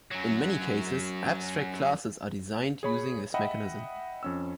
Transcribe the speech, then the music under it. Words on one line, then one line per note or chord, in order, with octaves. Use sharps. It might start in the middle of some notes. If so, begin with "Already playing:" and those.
In many cases, abstract classes are designed using this mechanism.
F#2 F#3
G#4 C#5 B5
D#5 E5 F#5 G5 B5
F2 C#4 E6